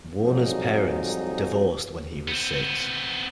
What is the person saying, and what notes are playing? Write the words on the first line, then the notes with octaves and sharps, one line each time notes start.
Warner's parents divorced when he was six.
F2 G#2 F#3 G3 D#4
B3 C4